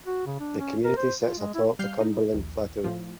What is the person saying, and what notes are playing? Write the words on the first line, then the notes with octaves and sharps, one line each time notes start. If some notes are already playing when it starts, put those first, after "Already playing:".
The community sits atop the Cumberland Plateau.
F#4
C#3
D4
C#4
A#4
C5
F4
G#3
E4
G3 F5 F6 G6 C7
D#4
A#1 D#2
A2 F3